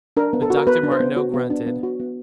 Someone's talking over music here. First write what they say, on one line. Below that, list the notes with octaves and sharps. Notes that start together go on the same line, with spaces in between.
But Dr. Martineau grunted.
D4 A#4
B3
A4
F#4
A#4
B3 B4
D4
C5
B3
F#4
B3
D4
B3
F#4
B3